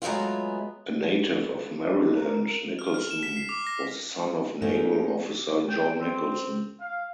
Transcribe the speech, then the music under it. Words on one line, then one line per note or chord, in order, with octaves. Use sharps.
A native of Maryland, Nicholson was the son of naval officer John Nicholson.
F#3 G#3 A3 B3 F4
D#3 D4
A#4
F6
F6
E7
B6
C7
D6
A#6
A3 A#3 C#4 D#4 F#4
G5
C4
F5